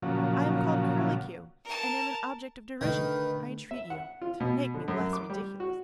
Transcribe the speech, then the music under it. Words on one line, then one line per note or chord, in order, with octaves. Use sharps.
I am called Curlicue, and am an object of derision; I entreat you to make me less ridiculous.'
A#2 C#3 F3 F#3
A#4 A5
D3 D#3 A3 B4
E5
F#5
F4
B2
D3
F#2
D6
G3
F#4